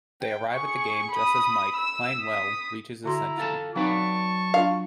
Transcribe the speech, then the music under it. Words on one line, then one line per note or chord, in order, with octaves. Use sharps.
They arrive at the game just as Mike, playing well, reaches his century.
G5
G#4 C#6
B5 D#6
E6
D#6 B6
D3 E4 F#4 A#5 C6
F4 A4 A5
F#3 C4 D#4 B4 D5 F5 A5 C#6
D4 F4 F5